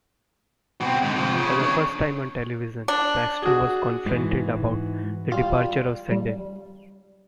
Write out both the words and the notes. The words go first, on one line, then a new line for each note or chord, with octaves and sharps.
For the first time on television, Baxter was confronted about the departure of Sundin.
B2 C4
G#2 D3
C3 F3
C#3
D4 C#5
D4
F#4 G#4
G#2 E3
G3 F4
G3